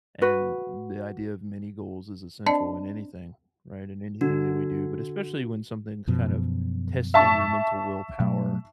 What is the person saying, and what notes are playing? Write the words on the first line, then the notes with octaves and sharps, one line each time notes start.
and the idea of many goals is essential in anything, right, in anything that we do, but especially when something's kind of testing your mental willpower
F#4 B4
C4 D4 C5 D5 D#5 A5
D3 D4 F#4
F#2 B2 F3
E5 A5 C#6
B2 F#3 A3